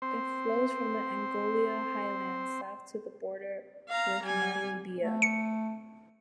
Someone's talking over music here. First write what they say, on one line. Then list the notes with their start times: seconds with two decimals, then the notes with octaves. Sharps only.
It flows from the Angola highlands south to the border with Namibia.
0.02 C4 C5
3.89 F5 A#5
4.23 G3 G#5
5.03 A3
5.22 C#7